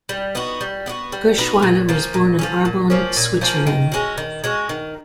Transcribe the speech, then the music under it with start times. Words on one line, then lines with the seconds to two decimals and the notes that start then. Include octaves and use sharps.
Gerschwiler was born in Arbon, Switzerland.
0.09 G3
0.35 B3 D#4 F#4
0.61 G3
0.86 B3 D#4 F#4
1.12 G3
1.38 B3 D#4 F#4
1.63 A#2
1.89 F3 A#3 C#4
2.14 A#2
2.39 F3 A#3 C#4
2.65 A#2
2.90 F3 A#3 C#4
3.16 A#2
3.41 F3 A#3 C#4
3.67 D#3
3.92 G#3 C#4 F#4
4.18 D#3
4.44 G#3 C#4 F#4
4.69 D#3